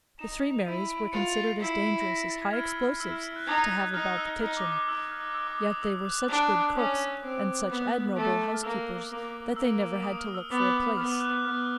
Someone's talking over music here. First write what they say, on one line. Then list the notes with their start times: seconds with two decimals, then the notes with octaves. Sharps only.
The three Marys were considered as dangerous as high explosives to have about the kitchen, yet they were such good cooks and such admirable housekeepers that they never had to look for a place.
0.19 D#4 E7
0.30 E7
0.43 F7
0.54 E7
0.66 E4 D#7
0.90 D7
1.12 F4 C#7
1.36 C7
1.60 E4 C7
1.83 B6
2.00 A#6
2.07 B6
2.18 A#6
2.30 A6
2.42 G#6
2.53 E4 F6
2.68 E6
2.84 F6
3.00 E4 E6
3.12 F6
3.23 E6
3.36 F#6
3.47 D#4 G#6
3.71 F#6
3.94 D#4 F6
4.18 E6
4.41 D#4 F6
4.57 D6
4.72 D6
4.88 D#4 E6
5.11 F6
5.34 E6
5.47 D6
5.58 D#6
5.82 E6
6.05 F#6
6.28 D4 D6
6.52 D6
6.76 C#4 D6
7.22 C4
7.69 B3 F#6
8.16 A3
8.54 F6
8.63 A#3 E6
9.10 A#3
9.56 A#3 E6
10.03 D#6
10.19 F6
10.34 E6
10.50 B3 D6
10.62 D6
10.74 D#6
10.97 B3 F6
11.20 F#6
11.44 B3 F6